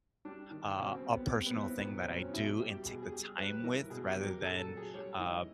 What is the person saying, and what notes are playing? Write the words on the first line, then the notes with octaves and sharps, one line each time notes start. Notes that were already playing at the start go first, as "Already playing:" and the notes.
uh, a personal thing that I do and take the time with rather than, uh,
G3 D4
D#3
B2 C#4
C4
G3
B3
G3 C4
B3
E3
C4
A#2 B3
C4
F#3
C#4
D#4
B2 E4
G3
G4
B2 G#4
G#4
G3
G3 B4
E3 A#4
B2 G#4
G4
F#3
A#4
A#2 A4
A4
F#3
G#4
G3 C#5
E3 D#5